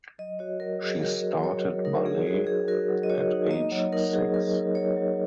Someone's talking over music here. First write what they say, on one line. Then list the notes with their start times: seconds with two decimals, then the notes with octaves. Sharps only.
She started ballet at age six.
0.18 F#3 D#5
0.39 F#4 C#5
0.60 F#3 A#4
0.81 F#3 G#4
1.02 F#4 A#4
1.23 F#4
1.44 F#3 C#5
1.64 F#3
1.85 D#4 A#4
2.05 D#4 G#4
2.27 F#4 G#4
2.47 F#4 G#4
2.68 F#4 A#4
2.89 F#3
3.03 D#5
3.10 F#4 C#5
3.31 D#4
3.51 A#3 D#5
3.72 F#3 C#5
3.93 D#4 A#4
4.13 F#3 G#4
4.34 F#3 A#4
4.55 F#3
4.75 F#3 C#5
4.97 F#3